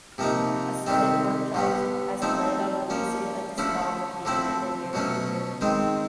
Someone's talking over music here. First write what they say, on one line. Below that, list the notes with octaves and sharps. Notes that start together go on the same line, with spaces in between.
Assorted Porkchops has planned on releasing a discography in the near future.
C3 F3 A#3 D#4
C3 D#3 G3 C4
D3 G3 B3
F3 A3 C4 D#4
F3 A#3 C#4
D3 F3 A3 C#4 E4
D3 F3 A3 C4 E4
B2 F#3 A3 C#4
D#3 G#3 C4